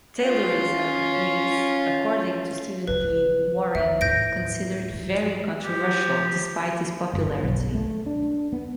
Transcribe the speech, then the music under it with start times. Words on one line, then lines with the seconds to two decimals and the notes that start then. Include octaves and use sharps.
Taylorism is, according to Stephen P. Waring, considered very controversial, despite its popularity.
0.22 C#4 F4
2.87 C#3 F3 B4
3.75 D#3 B3 E5
4.01 D#2 A2 G6 A#6 D7
4.90 G#2 E3
5.63 F3 G4
7.14 G1
7.43 B1
7.75 A3
8.06 D4
8.53 B3